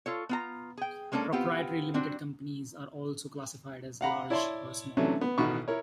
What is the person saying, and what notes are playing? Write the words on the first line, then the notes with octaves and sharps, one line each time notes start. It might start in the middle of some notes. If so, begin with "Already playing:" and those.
Proprietary limited companies are also classified as "large" or "small".
F4 A4 C#5
B3 F4 A#5
G#4 G5
G#3 A#3 C#4 D4 A4
B3 C4 F4 G4
G3 C4 D4 F#4
F5 F#5 A#5 B5
E4 C#5 D5 A5 C6
C3 E3 F#3 A3 C#4 D4
B3
A1 B2 D#3 F#4 B5 C#6
E4 A#4 C#5